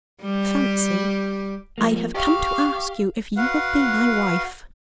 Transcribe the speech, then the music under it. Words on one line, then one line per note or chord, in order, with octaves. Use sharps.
"Fancy, I have come to ask you if you will be my wife?"
G3 G4
F3 G#3 A#3
G4 F5 C#6 D6
F#4 B4 F5 F#5